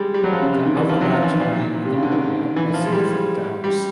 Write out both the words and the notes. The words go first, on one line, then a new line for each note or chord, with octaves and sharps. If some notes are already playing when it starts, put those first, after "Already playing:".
The other large holding in the area was Norfolk Downs.
Already playing: G3 G#3
G3
F#3
F3
C#3
C3
D#3
E3
F3
F#3
F3
E3
D#3
A#2
C3
C#3
D3
D#3
E3
F3
G#3
G3
G3